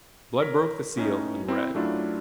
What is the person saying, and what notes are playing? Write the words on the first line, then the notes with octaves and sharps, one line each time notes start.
Blood broke the seal, and read.
A#4 C#5 B6
A2 C#4 D#4
C4 E4
F#2 F#3 A3 D4 E4 F4